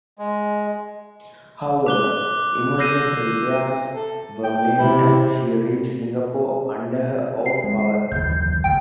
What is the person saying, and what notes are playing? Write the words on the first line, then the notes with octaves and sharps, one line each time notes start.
However, emergency repairs were made and she reached Singapore under her own power.
G#3
D6 F#6 G7
E6 G6 A#6 C7 D#7
A4
G5
C3 E4
C7
G#3
F#1 D#2 E3 G6
G#1 D2 G5